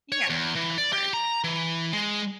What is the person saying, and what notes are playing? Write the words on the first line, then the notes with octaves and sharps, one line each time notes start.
Yeah, of course.
C#5
E2
E3
D5
G4
A#5
E3
G#3